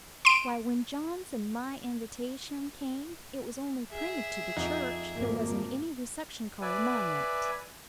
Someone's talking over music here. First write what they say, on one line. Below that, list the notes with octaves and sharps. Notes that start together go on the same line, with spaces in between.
Why, when John's and my invitation came it was only printed to the church--there wasn't any reception card among it.
C6 D7
G#4 E5
F2 D#4 F#5
G#1 G#2 A#3
B4 D5 E5 G#5